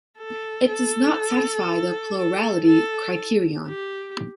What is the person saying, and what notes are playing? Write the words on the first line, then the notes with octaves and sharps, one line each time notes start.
It does not satisfy the plurality criterion.
A4
A4
A4
A4
G4